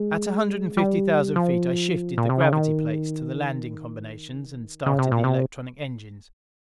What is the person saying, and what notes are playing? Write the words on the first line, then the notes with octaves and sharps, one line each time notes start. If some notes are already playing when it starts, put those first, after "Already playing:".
At a hundred and fifty thousand feet I shifted the gravity plates to the landing combinations, and started the electronic engines.
Already playing: G#3
G3
F3
A#2
C3
C#3
D#3
C#3
C3
A#2
C3